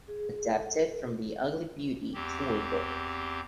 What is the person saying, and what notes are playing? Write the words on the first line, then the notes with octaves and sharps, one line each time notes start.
Adapted from the "Ugly Beauty" tour book.
G#4
A4
E2 C4 G4